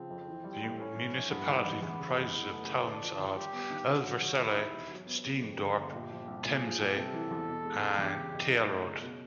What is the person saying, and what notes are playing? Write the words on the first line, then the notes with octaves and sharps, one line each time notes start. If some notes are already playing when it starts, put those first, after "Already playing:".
The municipality comprises the towns of Elversele, Steendorp, Temse and Tielrode.
Already playing: C#3 F3 C4
F2
E3
G3
A2
A2 C#4
E3
A#1
G2 B3
D#3
A1
E2 B3
C#3
F#1
E3
A3
C#3
D3 D4
F3
D#2
G3 G4
B3
D#3
C#3 F#4
F#3
D#2
D#2 E4
D#3
E1
F#3
B3
C#3
F2 G4
D3
G1
A#2
F3
C2
A#2 G#4
F3
C2
C3 A4
E3
E2
B2
G#3
C#2
E2 G4
C#3
F#1
F3 D#4
A3
C#3
B2